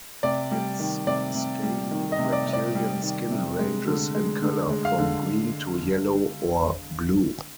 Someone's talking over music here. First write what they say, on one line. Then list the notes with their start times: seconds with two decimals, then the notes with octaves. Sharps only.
Its scaly reptilian skin ranges in color from green to yellow or blue.
0.23 C3 D5
0.51 G3
0.79 D#3
1.07 C3 D5
1.35 C3
1.63 G3
1.91 D#3
2.12 D#5
2.19 C3
2.32 D5
2.46 C3
2.53 D5
2.75 G3
3.02 D#3
3.31 C3
3.59 G#3
3.86 D3
4.15 G#3
4.42 D3
4.70 G#3
4.85 F5
4.98 D3